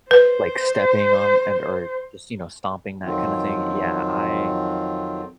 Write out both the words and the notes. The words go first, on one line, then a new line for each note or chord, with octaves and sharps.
Like, stepping on and or just, you know, stomping, that kinda thing, yeah, I
B4 C5
F2 D#3 F#3 C4 F4